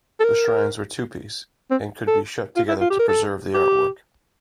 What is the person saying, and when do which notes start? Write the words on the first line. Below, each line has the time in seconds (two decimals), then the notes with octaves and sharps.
The shrines were two-piece, and could be shut together to preserve the artwork.
0.20 A4
0.24 A#4
1.71 C4
2.07 A4
2.56 F4
2.68 E4
2.81 F4
2.90 G4
2.99 A#4
3.08 A4
3.54 G4